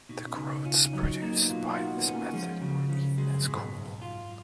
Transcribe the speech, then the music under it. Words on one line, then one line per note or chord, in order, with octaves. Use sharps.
The groats produced by this method were eaten as gruel.
B2 D#4
C#4
C#2 D#4
C#4 F4
F#3 D#4
A#3 D#4
B3
B2 F4
F4
D#4 F#4
A#3
B3
C#4
A#3
F3 G#3
C#3 F#3
C#3 F3
F#3 G#3
F#2
G#2 B2
B1 F#2
F4